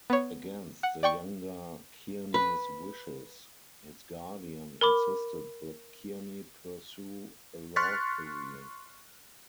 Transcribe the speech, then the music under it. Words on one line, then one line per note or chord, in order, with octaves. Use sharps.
Against the younger Kearny's wishes, his guardian insisted that Kearny pursue a law career.
B3 C#5
F#5
D5 G5 C#6 C#7
B4
A#4 B5 D6
C6 C#6 F6 F#6 A6 B6